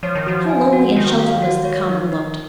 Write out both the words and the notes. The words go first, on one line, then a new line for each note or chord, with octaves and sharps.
How lonely and shelterless the common looked!
F3 C#5
D#3
F3 F#4
G#5
F#4
D#3 F#4
F5
F#4
C#5
D#4
D#4